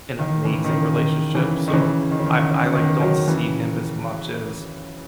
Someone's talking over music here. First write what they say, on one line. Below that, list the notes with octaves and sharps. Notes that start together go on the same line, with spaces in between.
an amazing relationship, so I I, like, don't see him as much as
D#3
C#3 E3
D#3
C#3
D#3
C#3 E3
D#3
C#3 E3
D#3
C#3
D#3
C#3
C#3
D#3
D#3 F#3
C#3 E3